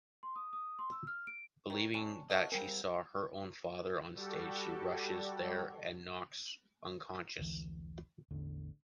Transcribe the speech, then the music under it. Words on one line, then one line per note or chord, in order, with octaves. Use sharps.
Believing that she saw her own father on stage, she rushes there and knocks unconscious.
C6
D#6
D#6
C6
E6
F6
D7
D#3 C#4
G3 C#4 D4
A3 C4 F#4 D#5 F5 F#5 F6
G3 C4 G#4 A#4 G5
G3 F#4 G4 A4
F1 C#2 D3 E3
A1 E2 D3